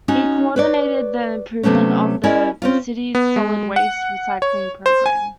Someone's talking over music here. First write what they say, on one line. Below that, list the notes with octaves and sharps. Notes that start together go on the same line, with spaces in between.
He coordinated the improvement of the city's solid waste recycling program.
C#4 D#4 F#4
B4 C#5 D5
C3 F#3 A3 B3 C#4
C#4 E4 A#4 D5 D#5
C4 C#4 F4
B3
G#3
F#5
C#5
C5
G#5